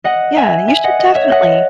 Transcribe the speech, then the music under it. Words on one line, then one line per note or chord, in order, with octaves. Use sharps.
yeah, you should definitely.
D#5 F#5
E5 G#5
E5 G#5
D#5 F#5
D#5
C#5 E5
D#5 F#5